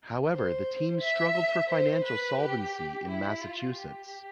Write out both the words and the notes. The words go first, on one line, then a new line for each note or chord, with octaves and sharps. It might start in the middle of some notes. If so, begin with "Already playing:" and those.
However, the team struggled for financial solvency in Massachusetts.
C5
E5
C5
B4
G4
E4
F4
G4